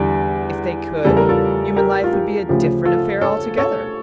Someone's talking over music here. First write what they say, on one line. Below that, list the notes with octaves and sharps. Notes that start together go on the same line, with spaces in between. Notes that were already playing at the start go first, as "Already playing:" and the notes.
If they could, human life would be a different affair altogether.
Already playing: E2 D3 G3
E2 C#3 G3 A4
A#4
F4 A4
G4 A#4
F4
G4
D2 C#3 F3 G4
F4 A4
A4 C#5
A4 C#5